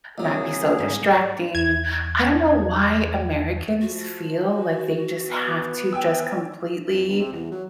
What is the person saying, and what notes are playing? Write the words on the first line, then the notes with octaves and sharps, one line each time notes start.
not be so distracting. I don't know why Americans feel like they just have to just completely
C2 F#3 A#3 G#4
G#2 G3
E2 G#6
F3 F#4
B3
G5 G#5 E6
F2
G1
C3
E2
F#3